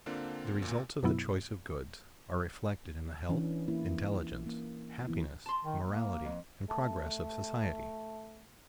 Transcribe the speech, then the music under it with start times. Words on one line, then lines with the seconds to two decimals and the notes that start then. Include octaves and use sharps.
The results of the choice of goods are reflected in the health, intelligence, happiness, morality, and progress of society.
0.06 D3 A#3 C4 D4 F4
0.62 D2 A#2
1.03 F#2 B2 F#3 B3 E4
3.29 E3 C#4 D4
3.68 A#3 E4
4.46 A#3
5.07 E3 B3 E4
5.46 A5 C6
5.65 D#3
5.84 A#3
6.25 F2
6.70 A3 A5